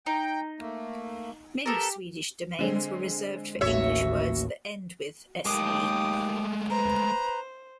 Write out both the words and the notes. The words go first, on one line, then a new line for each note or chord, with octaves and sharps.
Many Swedish domains were reserved for English words that end with "se".
D#4 G5
A3 A#3
B3 G4 A4 A#4
D3 G#3 C4
A1 D#2 F#4 C#5 E5
D#2 G#3 A3 G5 D6 D#6
B4 C5 A#5